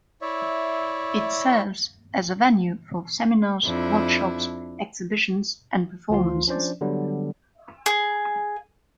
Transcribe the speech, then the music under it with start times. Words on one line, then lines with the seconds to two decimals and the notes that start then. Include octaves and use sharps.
It serves as a venue for seminars, workshops, exhibitions and performances.
0.22 E4 C#5 D5 E5
3.64 F2 D4 E4
6.10 D2 F3 F4 C6
6.47 F3 C#4 D4 C5 D5
6.81 D3 F#3 G3 B3
7.86 G#4